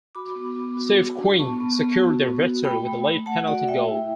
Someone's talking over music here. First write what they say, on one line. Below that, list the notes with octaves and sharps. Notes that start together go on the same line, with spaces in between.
Steve Quinn secured their victory with a late penalty goal.
F#4 B5 D6
B3
B3
F#4
F#4
D4
B3 A5 C#6
B3
B3
F#4
B3
F#4
A3 G5 B5
A3
A3
A3 F#5 A5
F#4 D5 F#5
A3 E5 G5
E4